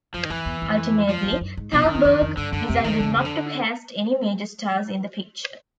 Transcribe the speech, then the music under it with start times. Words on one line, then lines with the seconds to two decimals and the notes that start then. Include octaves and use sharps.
Ultimately, Thalberg decided not to cast any major stars in the picture.
0.14 F#2 F3
0.25 D#3
0.30 F2 E3
0.46 E2
0.62 F2
1.09 F3
1.23 E2
1.32 F2
1.41 F#2
1.57 G#2
1.73 B2 F3
1.84 F#2
1.89 D#3
1.95 E2
2.05 F2
2.21 F2
2.37 G2 D3
2.52 F#2 D3
2.69 F2 C3
2.84 F2 D#3
2.98 F2 D3
3.11 F2 C#3
3.25 D3